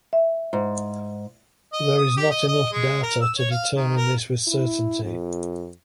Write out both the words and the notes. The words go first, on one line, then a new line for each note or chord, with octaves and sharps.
There is not enough data to determine this with certainty.
E5
G#2
D#5
D#6
G4
D#5
D#5
G#3
A#4
E6
C#5
F5
D#3
A#4
E4
F2